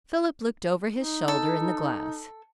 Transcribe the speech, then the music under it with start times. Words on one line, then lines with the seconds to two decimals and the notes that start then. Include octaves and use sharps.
Philip looked over his shoulder in the glass.
0.95 D#4
1.28 A4